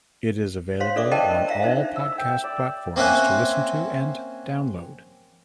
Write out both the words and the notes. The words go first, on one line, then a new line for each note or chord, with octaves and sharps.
It is available on all podcast platforms to listen to and download.
C5 C#5 F5 C6
D4 A4 D5 E5 C#6 D6
A#4 C5 D#5 G5 A5
A#4
E5 F5 A#5
D4 D#4 C5 E5
E5
G5
D5
A#3 C4 C#4 E5 F#5 G#5